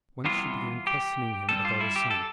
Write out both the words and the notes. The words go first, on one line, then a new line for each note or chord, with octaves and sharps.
Once she began questioning him about his son.
C2 C3 E3 B3 F4
G4
G2 D3 G3 A4
F4
E4
G4
A4